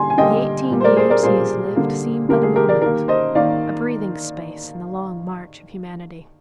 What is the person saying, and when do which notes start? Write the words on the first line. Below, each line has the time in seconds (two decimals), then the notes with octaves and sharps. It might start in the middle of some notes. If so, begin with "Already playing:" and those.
The eighteen years he has lived seem but a moment, a breathing space in the long march of humanity.
Already playing: D3 G3 A#3 G#5 C6
0.10 G#5
0.17 D3 G3 A#3 D#5 G5
0.70 A#2 G3 A#3
0.80 C5
0.84 A#4 D5
0.97 G#4 C5
1.10 A#4 D5
1.23 A#2 G3 A#3 G#4 C5
1.76 D3 G3 A#3
2.29 D3 G3 A#3 G4 A#4
2.43 G#4
2.56 G4 A#4
2.69 A#4 D5
2.81 D#3 A#3 G4 A#4
3.08 C5 D#5
3.35 D#3 A#3 D5 F5